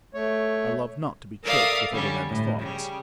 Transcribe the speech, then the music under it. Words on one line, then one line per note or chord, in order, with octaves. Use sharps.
I love not to be choked with other men's thoughts.
A3 C#5
A4 A#4 D5 E5 F5 D#6
D3 G3 C#4
A2
C#3 G3